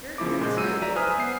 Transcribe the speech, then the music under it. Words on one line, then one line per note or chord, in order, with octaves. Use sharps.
You're here, too!
C#3 F3 E4 D6
A#2 G#3 G6
F#3 E6 D#7
D5 E5 A#5
B4 C5 G#5 D#6 F6
B3 C7